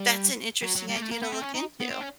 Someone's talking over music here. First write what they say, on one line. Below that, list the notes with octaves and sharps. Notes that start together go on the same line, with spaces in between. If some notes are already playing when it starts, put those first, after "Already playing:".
That's an interesting idea to look into.
Already playing: G3
F#3
F#3
G3
A#3
A3
A#3
B3
C4
C#4
D#4
B3
C4
C#4